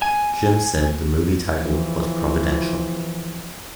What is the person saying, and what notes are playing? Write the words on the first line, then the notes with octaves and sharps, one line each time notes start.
Jim said the movie title was Providential.
G#5
E2 E3 F3